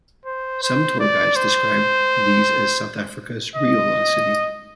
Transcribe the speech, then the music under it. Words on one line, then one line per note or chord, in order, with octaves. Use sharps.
Some tour guides describe these as South Africa's "real" lost city.
C5
C5
D5
C5
D#5